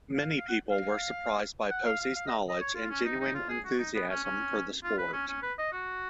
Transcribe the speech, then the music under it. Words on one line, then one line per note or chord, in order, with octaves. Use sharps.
Many people were surprised by Posey's knowledge and genuine enthusiasm for the sport.
F5
F5
F#5
F5
F#5
F5
F5
F5
D#5
D#5
C#5
F4
C#4
D#4
D#4
F4
G#4
F#4
D#4
B3
C#4
C#4
F4
B4
C#4
C#4
B4
D#5
F#4